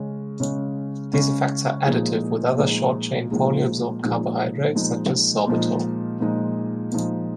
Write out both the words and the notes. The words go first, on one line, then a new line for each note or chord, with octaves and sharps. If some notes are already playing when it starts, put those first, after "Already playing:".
These effects are additive with other short-chain poorly absorbed carbohydrates such as sorbitol.
Already playing: C#3 G#3 C#4
C#3 G#3 C#4
C#3 G#3 C#4
A#2 F3 G#3 D#4 G#4
A#2 F3 G#3 D#4 G#4
A#2 F3 G#3 D#4 G#4
A#2 F3 G#3 D#4 G#4
A#2 F3 G#3 D#4
A#2 F3 G#3 D#4
A#2 F3 G#3 D#4
A#2 F3 G#3 D#4